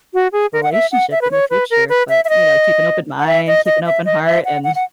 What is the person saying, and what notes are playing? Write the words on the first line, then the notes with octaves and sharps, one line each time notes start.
relationship in the future, but, you know keep an open mind, keep an open heart, and,
F#4
G#4
A#4
F#5
E5
F#5
E5
B4
C#5
B4
A#4
B4
E5
E5
D#5
F#5
E5
D#5
D#5
E5
D#5
E5
F#5
F#5
F#5